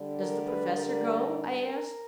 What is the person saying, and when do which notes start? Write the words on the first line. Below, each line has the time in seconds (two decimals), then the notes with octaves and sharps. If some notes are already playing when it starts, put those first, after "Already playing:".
"Does the professor go?" I asked.
Already playing: D3 G3
0.18 A#4
0.46 B4
0.76 A#4
1.63 A#4